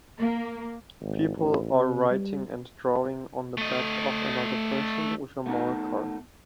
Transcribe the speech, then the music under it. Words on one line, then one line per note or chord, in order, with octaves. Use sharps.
People are writing and drawing on the back of another person with a marker.
A#3
G#1
A1
C3
G3
A3 D#5
A3 B3 D#4 A5